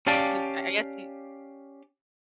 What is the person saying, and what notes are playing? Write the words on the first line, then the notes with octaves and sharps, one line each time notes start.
'Cause I I guess he
C#4 G4 D5 F5 A5